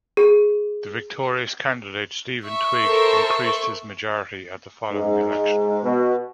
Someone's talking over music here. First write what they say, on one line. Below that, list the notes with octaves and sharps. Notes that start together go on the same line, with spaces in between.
The victorious candidate, Stephen Twigg, increased his majority at the following election.
G#4
E5 C#6
A4 A#4 C5
G#2
B2